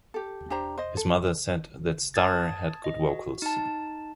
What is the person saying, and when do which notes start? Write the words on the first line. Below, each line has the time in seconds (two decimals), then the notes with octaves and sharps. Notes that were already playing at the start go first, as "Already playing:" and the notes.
His mother said that Starr had good vocals.
0.14 G4 A4
0.50 D4 G4 C5 A#5
0.78 C5 D#5
0.97 A4
2.14 A5 D#6 G#6 A6
2.84 D#5
3.09 F#4
3.42 D#4 A5